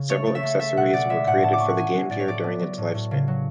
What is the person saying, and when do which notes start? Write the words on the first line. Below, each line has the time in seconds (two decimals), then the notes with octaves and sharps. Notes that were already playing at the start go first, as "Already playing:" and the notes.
Several accessories were created for the Game Gear during its lifespan.
Already playing: C#3
0.09 A3 C#5
0.27 A3
0.35 E5
0.43 A3
0.60 A3 E5
0.76 B2 F#5
0.93 B2 D5
1.09 G#3 E5
1.26 A2 F#5
1.43 A2 A5
1.53 D6
1.60 B3 C#6
1.69 F#5
1.77 B3 G#5
1.94 F#3
2.10 A2 D5
2.19 C#5
2.27 A2 D5
2.44 B3
2.61 F#3
2.78 A2
2.94 A2
3.11 C#3
3.28 F#3